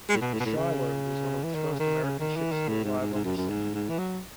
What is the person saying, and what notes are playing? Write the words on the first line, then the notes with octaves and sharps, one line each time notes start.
The "Shiloh" was one of the first American ships to arrive on scene.
G#3
A2
B2
A2
B2
A2
C#3
E3
D#3
C#3
D#3
C#3
D#3
E3
D#3
A2
G#2
G#2
G#2
F#2
F#2
G#2
G#2
E3
F#3